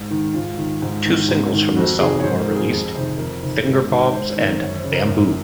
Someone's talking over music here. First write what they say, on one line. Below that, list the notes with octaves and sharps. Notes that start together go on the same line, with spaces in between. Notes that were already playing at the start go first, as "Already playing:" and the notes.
Two singles from this album were released: "Fingerbobs" and "Bamboo".
Already playing: G#2
D#3
G#2 F4
D#3
G#2
D#3
G#2
D#3
F2 F#4
C3 D#3 G#4
C#5
G#2 C5
C5
A#4
D#3
G#4
F2 G#4
C3 D#3 C5
F2 A#4
C3 D#3
G#2 A#4
D#3
C#5
G#2 C5
D#3
A#4
C5
F#2 C#5
C5
C#3
A#4
F#2